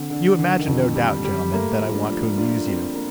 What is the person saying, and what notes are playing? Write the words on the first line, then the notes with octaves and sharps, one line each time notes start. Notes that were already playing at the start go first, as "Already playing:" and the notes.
You imagine no doubt, gentlemen, that I want to amuse you.
Already playing: D3 C4
D3 D4
D3 D#3
D#3
F2 F3
G3
G3
A3 A#3
F3
D4
F3
D4 F4
C4 F4
A#3 D4